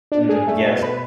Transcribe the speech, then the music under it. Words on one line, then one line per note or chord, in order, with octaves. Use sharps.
Mm, yes.
D4
G#4
A3
B2
B4